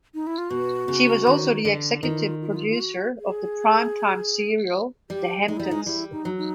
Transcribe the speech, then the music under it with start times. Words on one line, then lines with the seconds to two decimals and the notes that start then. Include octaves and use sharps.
She was also the executive producer of the primetime serial "The Hamptons".
0.14 D#4
0.27 E4
0.38 F4
0.50 B2 F#4
0.88 C#3
1.27 D#3
1.65 D3
2.03 D#3 F4
2.11 E4
2.18 F4
2.41 F4
2.49 E4
2.56 F4
2.69 F4
2.80 F#4
3.18 G#4
5.10 G3 G4
5.48 G#3 D#4
5.57 G3 E4
5.65 D#4
5.71 G#3
5.86 G3 E4
6.12 D#4
6.25 F#3
6.38 D#4